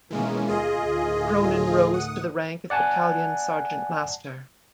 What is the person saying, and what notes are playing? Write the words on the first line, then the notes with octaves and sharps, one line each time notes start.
Cronin rose to the rank of Battalion Sgt Master.
B2 D#3 E3 G#3 A#3 C#4
D#2 F4 G#4 D#5
D2 A2 D#3
F#5 D#6
D5 F#5 G#5 A5